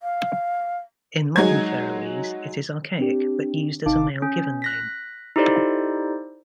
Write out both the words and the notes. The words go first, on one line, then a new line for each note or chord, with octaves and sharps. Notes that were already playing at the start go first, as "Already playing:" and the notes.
In Modern Faroese, it is archaic but used as a male given name.
F5
F#3 G#3 D#4 G#6
C4 D4 G4
G#1 C3 D#4 F5 A5 D6
C#4
F#6 A#6 B6
D#4 E4 G4 A4 C5 D5